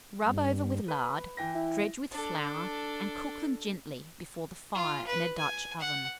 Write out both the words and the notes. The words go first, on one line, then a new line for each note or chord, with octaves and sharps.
Rub over with lard, dredge with flour, and cook them gently before the fire in a Dutch oven.
G2
B4
E3 G5 A#6
E4
D4 A4
F4
B4
G#5
F#5